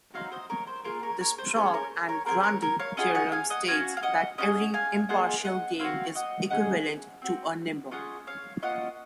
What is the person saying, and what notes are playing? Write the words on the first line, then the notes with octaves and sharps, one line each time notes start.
The Sprague-Grundy theorem states that every impartial game is equivalent to a nimber.
C4 D#4 F#4 C#5 F5
C5 D#5
A#4 C#5
C5
A#3 F4 G#4 A#4
A#4 C#5
A#4 C#5
C5
C#4 F4 G#4 C5
A#4 C#5
A#4 C#5
C4 F4 G#4 A#4
C5
A#4 C#5
A#4 C#5
C#5 F5
C#4 F4 G#4 D#5 F#5
D#5 F#5
F5 G#5
D#5 F#5
C#4 F#4 F5 G#5
F5
D#5 F#5
C#4 F4 G#4 D#5 F#5
F5 G#5
A#3 F4 G#4 D#5 F#5
D#5 F#5
C4 F#4 C#5 F5
D#5 F#5
C#4 G#4 D#5 F#5
C4 F#4
C#4 F4 G#4 D#5 F#5
C#5 F5
A#3 C#4 F4 D#5 F#5